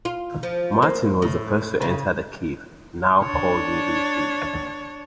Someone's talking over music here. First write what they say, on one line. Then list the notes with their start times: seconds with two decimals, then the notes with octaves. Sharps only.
Martin was the first to enter the cave, now called Middle Cave.
0.05 F4
0.43 F3
0.82 A#3
1.22 A2
1.82 C#3
3.21 D4 C#5